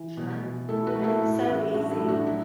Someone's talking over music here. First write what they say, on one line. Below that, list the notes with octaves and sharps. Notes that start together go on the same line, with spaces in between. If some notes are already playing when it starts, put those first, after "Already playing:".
Sure. And it's so easy,
Already playing: E3
B2
B2
A3 E4 A4
F#4 B4
A3
E4 A4
A2 E4
F#4
A1 E4
A1 D4 F#4
E4 A4
A2
D4 F#4
F#3 E4